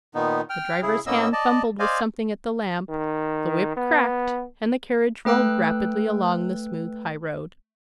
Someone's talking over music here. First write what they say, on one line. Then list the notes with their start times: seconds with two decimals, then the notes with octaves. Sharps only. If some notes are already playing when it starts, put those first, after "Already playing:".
The driver's hand fumbled with something at the lamp, the whip cracked, and the carriage rolled rapidly along the smooth highroad.
0.15 A#2 D#3 B3 D#4
0.50 G5 F6
0.83 C#3 E4 G#4
1.07 A2 A#3 B3 C#4 D#5 E6
1.33 D5 D#5 A5
1.79 C5 D5 D#5 F5 G#5
2.89 D#3
3.77 B3
5.25 A3 B4 G5 E6 F#6